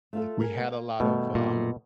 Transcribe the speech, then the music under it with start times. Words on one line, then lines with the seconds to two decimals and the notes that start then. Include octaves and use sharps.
we had a lot of, um,
0.13 A3 F4 A4
0.40 G#4 A#4
0.61 A#3
1.00 B2 D#3 G3 A3
1.35 A#2